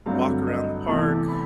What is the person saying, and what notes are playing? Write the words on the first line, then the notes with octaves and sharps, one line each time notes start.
walk around the park,
G2 D3 F#3 A3 C4 F5
D#5
E2 C3 E3 A3 C4 A5
B5